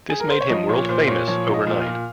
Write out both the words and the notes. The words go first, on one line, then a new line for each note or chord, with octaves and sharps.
This made him world-famous overnight.
G#4
A#4
C5
C#5
F3 D#5
A#2 C#5
A#2 C5
A#2 C#5
F3 C#5
F3
D#5
A#2
F5
A#2